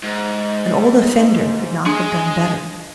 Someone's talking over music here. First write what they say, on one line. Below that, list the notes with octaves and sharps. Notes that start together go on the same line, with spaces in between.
An old offender could not have done better.
G#2
G#3 D4 G#4